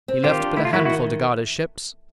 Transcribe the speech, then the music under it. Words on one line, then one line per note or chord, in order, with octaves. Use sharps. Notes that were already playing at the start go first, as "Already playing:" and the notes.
He left but a handful to guard his ships.
C4
D#3 F4 G4
D4
A3 E4
F4
D#3 E4 F#4
E4 F#4
D#3